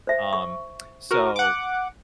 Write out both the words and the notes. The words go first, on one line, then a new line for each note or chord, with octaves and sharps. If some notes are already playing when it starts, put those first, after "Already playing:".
Um, so
C5 E5
C#6
F#4 A#4
F#5 D6